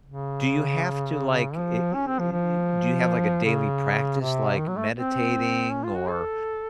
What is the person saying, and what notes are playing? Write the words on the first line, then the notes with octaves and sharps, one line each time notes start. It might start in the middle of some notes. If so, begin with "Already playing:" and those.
Do you have to, like, eh eh eh eh do you have, like, a daily practice, like meditating or,
C#3
F3
C#4
C4
F3
F3
C#3
C3
D#3
F#3
A3
C4
C#4
F4
F#4
A4